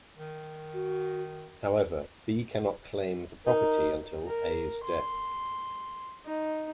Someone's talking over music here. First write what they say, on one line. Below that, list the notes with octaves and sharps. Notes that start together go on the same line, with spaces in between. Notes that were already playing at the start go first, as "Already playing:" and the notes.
However, B cannot claim the property until A's death.
D#3
F#4
D#4 A#4
A#4
C6
D#4